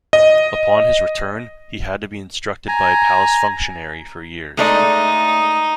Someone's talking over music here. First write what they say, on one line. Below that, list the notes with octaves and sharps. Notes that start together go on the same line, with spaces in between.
Upon his return, he had to be instructed by a palace functionary for years.
D#5
G#5 A#5
G#3 A3 D#4 D5